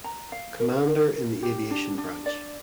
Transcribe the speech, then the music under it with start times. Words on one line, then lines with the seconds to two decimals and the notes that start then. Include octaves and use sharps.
Commander in the aviation branch.
0.04 A#5
0.32 F5
0.60 A#4
0.87 A#4
1.15 A#4
1.43 G4
1.71 D4
1.98 D4
2.26 D5